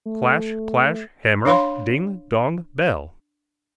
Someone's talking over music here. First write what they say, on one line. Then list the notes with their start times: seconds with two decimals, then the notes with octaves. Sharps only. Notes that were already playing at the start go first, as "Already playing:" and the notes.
Clash, clash, hammer; ding, dong, bell!
0.06 A3
1.45 D4 C#5 F5 B5 C6